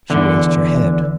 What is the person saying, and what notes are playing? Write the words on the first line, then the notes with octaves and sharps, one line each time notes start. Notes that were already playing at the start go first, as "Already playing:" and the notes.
She raised her head.
E2 D3